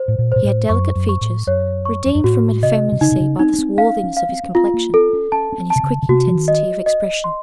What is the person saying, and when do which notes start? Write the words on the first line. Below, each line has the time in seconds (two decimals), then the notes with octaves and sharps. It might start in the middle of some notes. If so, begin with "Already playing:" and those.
He had delicate features, redeemed from effeminacy by the swarthiness of his complexion, and his quick intensity of expression.
Already playing: C5
0.08 A2
0.18 A#2
0.32 A#2 C5
0.44 A2
0.69 F#2 C#6
0.96 F#2
1.09 C#6
1.21 A2
1.47 F#2 C#5
1.85 C#6
2.06 F2
2.15 F#2
2.24 A2 F#4
2.62 C3 D#5
2.92 C3
3.01 C#3 D#4
3.12 C3
3.20 C#3
3.39 C4 D#4
3.54 C#4
3.59 C4
3.78 C#4 F5
4.04 C#4
4.17 F5
4.29 C4
4.44 C#4
4.55 C4 F4
4.74 A#3
4.94 C4 A4
5.13 C#4
5.32 C#4 A5
5.52 C#4
5.58 C4
5.70 A5
5.76 C3
5.83 C#3
6.02 C#3
6.09 C3 F#4
6.27 F3
6.35 D#3
6.48 D#5
6.86 D#5
7.24 C6